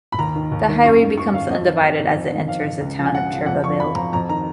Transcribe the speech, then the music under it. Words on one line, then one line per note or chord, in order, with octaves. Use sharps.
The highway becomes undivided as it enters the town of Turbeville.
B5
D#2 A#5
D#3
D#2
D#3
F#2 C#6
D#3
F#2 C#6
D#3 F5
F2 D#5
D#3
F2
D#3
F2
D#3
F2 F5
D#3
C#2
C#3 F3
G#5
C#2 F#5
C#3 F3
F2 F#5
F3 C#6
F2 B5
F3 A#5
F2 A#5
D#3 A#5